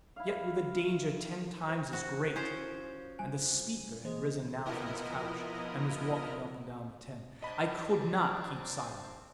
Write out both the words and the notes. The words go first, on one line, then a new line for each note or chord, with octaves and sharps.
Yet were the danger ten times as great," and the speaker had risen now from his couch and was walking up and down the tent, "I could not keep silent.
E4 F5
C3
F3 F#4 A#6
C#4 E4 C5 D#6 G6
G3 G#5 F#6
E3 G#3 A#3 C5
B2 F3 B3 E4 A#4 D#5
C4 D4 D#5 A5 B5